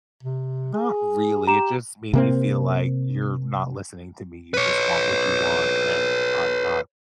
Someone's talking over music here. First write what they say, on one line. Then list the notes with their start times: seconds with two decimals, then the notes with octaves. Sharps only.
Not really, it just made me feel like, you're not listening to me. You just want what you want, and I'm not
0.23 C3
0.74 G#4
1.47 G4 A#5 E7
2.13 C3 A#3 C4
4.54 B4 C#5